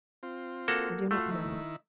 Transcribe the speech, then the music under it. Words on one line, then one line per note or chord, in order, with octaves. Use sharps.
I do not know.
C4 F4
A#3 F#4 A4
A3 F4 F#4 C6
D#3 E4